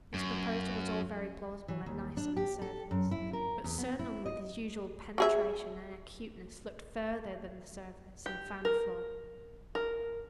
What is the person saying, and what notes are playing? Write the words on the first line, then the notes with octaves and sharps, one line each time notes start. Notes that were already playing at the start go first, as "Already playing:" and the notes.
This proposal was all very plausible and nice on the surface, but Sir Norman with his usual penetration and acuteness, looked farther than the surface, and found a flaw.
F#2
E3
D#2
D4
G4
A4
F#2
E4
A#4
E2
B3
E4
D#5
F#4 G#4 E5
G4
A#4
A#4